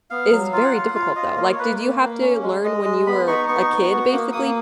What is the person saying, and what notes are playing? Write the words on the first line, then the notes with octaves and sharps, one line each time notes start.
is very difficult, though. Like, did you have to learn when you were a kid, basically,
B3 F5
F#3
F4 F5
F#5
F4 F5
F4 F5
F4 D#5
A#3 F5
D#5
C#5
A#3 B4
A#3
A#3
C#4
G#3
G#3 D#5
G#3
B3 B5
D#4 C#6
B3 C#6
B3
F#4
A#3
A#3 D#6